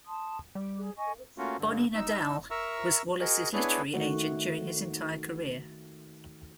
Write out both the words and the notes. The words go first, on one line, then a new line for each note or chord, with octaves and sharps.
Bonnie Nadell was Wallace's literary agent during his entire career.
A5 C6 D#6
G3 D6
G#4
D#5 G#5 C#6
A3 A#3 C#4 F4 F#4
G2 D3
D#4 E6
A#4 E5 A#5 C#6 E6
F#4 G#4 A#4 D#5
B3 D4 E4 G#4 B4 C#5
D#3 A3 F#4